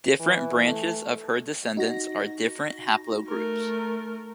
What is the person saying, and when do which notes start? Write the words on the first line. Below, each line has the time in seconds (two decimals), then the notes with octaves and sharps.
Different branches of her descendants are different haplogroups.
0.20 E3
0.66 A3
1.77 D#4 F#4 A#6
3.28 A3 A#4